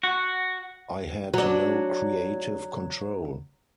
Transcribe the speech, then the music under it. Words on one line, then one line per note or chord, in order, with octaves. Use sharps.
I had no creative control.
F#4
F#3 D4